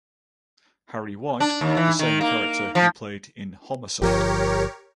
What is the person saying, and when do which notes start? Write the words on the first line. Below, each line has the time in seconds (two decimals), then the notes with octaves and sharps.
Harry White - the same character he played in "Homicide".
1.40 D4
1.61 D#2
1.77 E3
1.99 D#3
2.21 A#3
2.75 F3
4.02 G1 F3 G4 A#4 C#5